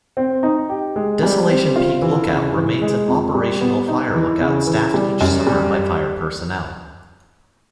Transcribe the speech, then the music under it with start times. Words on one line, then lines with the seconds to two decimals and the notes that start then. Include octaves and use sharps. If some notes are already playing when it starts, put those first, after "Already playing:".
Desolation Peak Lookout remains an operational fire lookout staffed each summer by fire personnel.
0.17 C4
0.43 D#4
0.69 G4
0.96 G#3
1.23 G3
1.49 C4
1.76 F4
2.02 E3
2.29 C#3
2.55 E3
2.82 G#3
3.08 F2
3.35 G3
3.61 B3
3.88 D#4
4.14 E3
4.41 C#3
4.67 E3
4.94 G3
5.21 F#2
5.47 G3